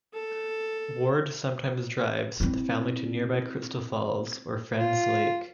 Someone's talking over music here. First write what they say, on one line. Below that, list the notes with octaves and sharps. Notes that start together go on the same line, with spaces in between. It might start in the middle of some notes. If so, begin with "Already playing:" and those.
Ward sometimes drives the family to nearby Crystal Falls or Friends Lake.
A4
C4 E4
F4